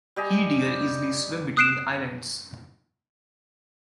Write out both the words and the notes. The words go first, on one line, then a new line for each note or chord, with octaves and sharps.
Key deer easily swim between islands.
G3 G4 D#5 G#5
D#6 F#6 C7 D7 E7